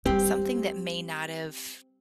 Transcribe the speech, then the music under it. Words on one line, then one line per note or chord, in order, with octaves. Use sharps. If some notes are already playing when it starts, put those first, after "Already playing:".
something that may not have
G3 C4 D4 G4